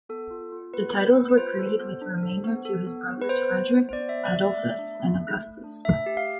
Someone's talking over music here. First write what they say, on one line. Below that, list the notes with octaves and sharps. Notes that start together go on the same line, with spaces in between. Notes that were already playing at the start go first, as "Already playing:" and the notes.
The titles were created with remainder to his brothers Frederick, Adolphus and Augustus.
B3 A4
F4
F4
B3 B4
B3
B4
B3
B4
F4 C5
A4
B3
D4
A4
B3
A4
B3
B3
B4
B3 C5
B3
B3
C5
B3 D5
E5
B3
D5
B3 D5 E5
A3
D4
A3
A3
A3
D4
A3 E5
G4
F5